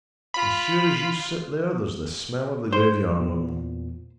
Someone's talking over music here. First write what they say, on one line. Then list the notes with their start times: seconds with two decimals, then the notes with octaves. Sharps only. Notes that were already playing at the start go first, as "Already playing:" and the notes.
As sure as you sit there, there's the smell of the graveyard on them.
0.34 F4 B5
2.72 C5
3.18 E2 A#2